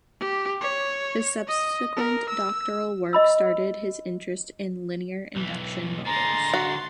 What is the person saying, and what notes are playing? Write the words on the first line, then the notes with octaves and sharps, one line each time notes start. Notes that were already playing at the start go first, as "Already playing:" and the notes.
His subsequent doctoral work started his interest in linear induction motors.
G4
C#5
D#5
A#4
E6
D#5 B5 E6
B1 E3
D3 G#3 A#5 C6 A6
F#4